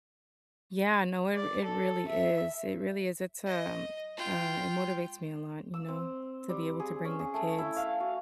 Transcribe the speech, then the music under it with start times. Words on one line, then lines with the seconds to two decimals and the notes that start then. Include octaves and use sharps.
Yeah, no, it r it really is, it really is. It's, um uh, it motivates me a lot, you know, to be able to bring the kids.
1.36 D5
1.64 A4
2.08 E5
3.46 D#5
4.17 F4 G5
5.74 E6
5.88 C4
6.49 G3
6.80 G#4
7.05 C#4
7.19 G#4
7.34 A3
7.58 E4
7.76 F5
8.00 F#4